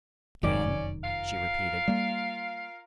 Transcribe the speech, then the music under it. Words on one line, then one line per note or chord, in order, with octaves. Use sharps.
"Dan?" she repeated.
F1 F#2 D#3 C#4 D5
F4 A#4 F5
G3 A#3